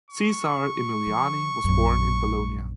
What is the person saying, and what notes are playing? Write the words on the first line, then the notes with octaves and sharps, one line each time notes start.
Cesare Emiliani was born in Bologna.
C#6
F3
A#1 F#2